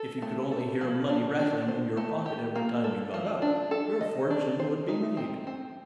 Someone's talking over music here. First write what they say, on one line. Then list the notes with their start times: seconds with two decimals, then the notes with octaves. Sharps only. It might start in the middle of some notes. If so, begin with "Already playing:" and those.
"If you could only hear money rattling in your pocket every time you got up, your fortune would be made."
Already playing: A4
0.22 A3
0.52 A4
0.81 F3
1.09 D4
1.39 D4
1.68 C5
1.97 A3
2.26 G4
2.56 A#3
2.84 A4
3.14 F3
3.42 D4
3.71 A4
4.01 D#5
4.30 D4
4.60 C5
4.88 D#4
5.17 C4
5.47 C4